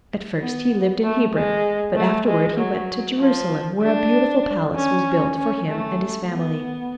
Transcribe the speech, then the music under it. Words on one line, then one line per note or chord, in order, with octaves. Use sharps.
At first, he lived in Hebron, but afterward he went to Jerusalem, where a beautiful palace was built for him and his family.
B3
A3
G#3
A3
G#3
F#3
F3
D4
C#4
C#4
A3
B3